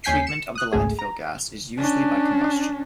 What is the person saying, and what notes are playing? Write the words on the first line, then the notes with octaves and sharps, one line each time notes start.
Treatment of the landfill gas is usually by combustion.
D#2 C#4 G#5 G6 B6 C7
C#7 E7
D#6 F#6
G#1 C#2 A3 G#4
A#5
C#4 D4